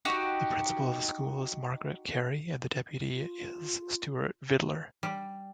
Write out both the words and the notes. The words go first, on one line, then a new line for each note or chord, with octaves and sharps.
The principal of the school is Margaret Carey, and deputy is Stewart Vidler.
D#4 F#4 G4
F4
G3